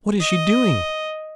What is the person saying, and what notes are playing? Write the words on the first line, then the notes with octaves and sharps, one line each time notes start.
What is she doing?
D#5